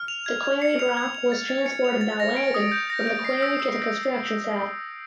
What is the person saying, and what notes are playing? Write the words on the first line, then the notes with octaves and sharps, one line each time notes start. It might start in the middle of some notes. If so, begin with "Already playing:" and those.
The quarried rock was transported by wagon from the quarry to the construction site.
Already playing: F6
F7
G#6
G#6
C#7
F7
G#6
F7
A6
A6
C#7
F7
A6
A#6
D7
D#6
G6
A#6
D7
C7
E6
E6